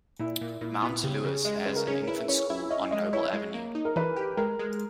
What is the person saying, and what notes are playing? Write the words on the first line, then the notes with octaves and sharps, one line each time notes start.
Mount Lewis has an infants school on Noble Avenue.
A#2 E4
A#2
A#2 E4
B3 E4
C#3 G4
C#3 G#4
G#3 D#5
D#5
C#3 B4
A#4
C#4 G#4
A#4
E4 B4
C#4 C#5
E4
C#4 D#5
G#3 D#5
E4 C#5
G#3
A#3
D#4
A#4
E3 B4
G4
G#3 A#4
G#3